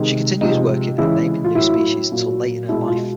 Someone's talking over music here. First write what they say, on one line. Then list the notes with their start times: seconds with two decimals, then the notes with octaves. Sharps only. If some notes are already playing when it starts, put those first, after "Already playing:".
She continued working and naming new species until late in her life.
Already playing: C3 D#3 G#3
0.41 C3 F3 G#3 D#4
0.98 C#3 E3 G#3 E4
1.44 F4
1.55 A2 F#3 E4
2.12 A#2 F#3
2.69 B2 E4
2.72 G#3
2.88 F4